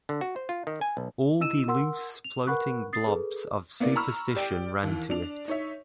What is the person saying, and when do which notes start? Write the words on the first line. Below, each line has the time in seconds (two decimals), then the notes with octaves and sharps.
All the loose floating blobs of superstition ran to it.
0.09 D3
0.21 F#4
0.36 C5
0.49 F4
0.67 D#3
0.81 G#5
0.97 B1
1.41 E4 D#5 E6 D#7 E7
1.68 A#4 F#5 C6 E6
2.24 F7
2.47 A#4 B4 F#5 B5 C#6 F#6
2.93 D#6 A6 C7
3.06 G#4 A4 B4
3.80 A#3 B3 E4 D5
3.96 A#5 B5 C#6 E6 F6
4.35 G4 D5 G5
4.83 D#2 E3
5.10 D4 F7
5.48 D#4 C#5 E5